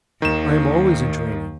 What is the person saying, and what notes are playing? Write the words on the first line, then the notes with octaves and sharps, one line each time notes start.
"I am always in training."
D#2 D#3 E7